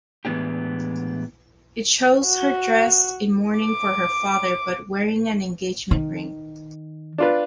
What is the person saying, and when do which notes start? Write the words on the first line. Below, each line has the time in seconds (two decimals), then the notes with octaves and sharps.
It shows her dressed in mourning for her father but wearing an engagement ring.
0.25 A2 E3 G#3 B3 D4 G4
2.28 F#4
3.60 D6
5.91 D#3
7.18 D4 F4 B4